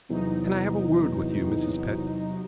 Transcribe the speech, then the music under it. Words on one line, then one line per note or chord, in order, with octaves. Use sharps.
"Can I have a word with you, Mrs. Pett?"
E2 C3 F#3 D#4